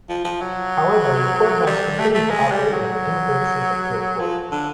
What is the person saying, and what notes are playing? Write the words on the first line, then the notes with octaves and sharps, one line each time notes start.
However the courthouse continued to operate as an immigration appeal court.
F3
F3
F#3
G3
A3
A3
G#3
G3
F#3
F3
D3